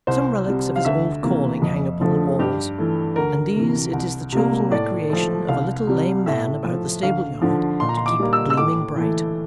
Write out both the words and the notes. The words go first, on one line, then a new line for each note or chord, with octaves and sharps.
Some relics of his old calling hang upon the walls, and these it is the chosen recreation of a little lame man about the stable-yard to keep gleaming bright.
C2 C5
C3 G3
F5
D2 E5
C3 E3 A#3
F2
D3 F3 A3
G2 G4
E3 A3
D2 A#4
C3 E3
C2
C3 G3 A#3
A2 D5
F3 A3
C2 F5
C3 G3
A2 E5
F3 A3
D2 F5
D3 F3
A#2 C6
A#5
C6
D6
G3 A#3
E6
E6
A2 D6
E3 A3